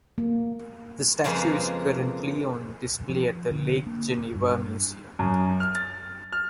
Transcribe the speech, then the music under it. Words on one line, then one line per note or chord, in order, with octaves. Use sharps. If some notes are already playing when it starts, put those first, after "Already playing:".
The statue is currently on display at the Lake Geneva Museum.
A#3
F2 C#3 G#3 A#3 B4 C6
F3
D3
A#3
G2
F#2
F6
A6
F6